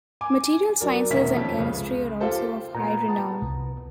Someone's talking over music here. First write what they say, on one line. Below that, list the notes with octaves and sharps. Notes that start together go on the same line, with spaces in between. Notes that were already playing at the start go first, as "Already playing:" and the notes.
Material sciences and chemistry are also of high renown.
G#5 D6
F#3 D4 A#4
E1 D#3 A#3 C#4 E5 B6
F2
C#2 C#3
F4 G4 A4 C5
A#2 B3 A#5
B3 A5
C2